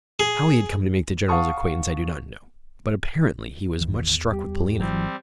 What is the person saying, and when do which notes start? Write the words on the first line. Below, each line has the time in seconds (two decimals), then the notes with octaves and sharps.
How he had come to make the General's acquaintance I do not know, but, apparently, he was much struck with Polina.
0.20 G#4
1.28 F5 F#5 A5 C#6 D#6
3.81 A1 E2 D#3 E3
4.33 G3 G4
4.80 G#1 G#2 E3 F#3 G3 C4